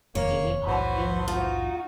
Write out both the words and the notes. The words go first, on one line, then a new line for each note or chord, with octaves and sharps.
Is it hot here now?
E1 F2 D#3 A#3 C#5
A#1 D#2 G#2 E3 F#4 B4 C5
D#4 F4 F#4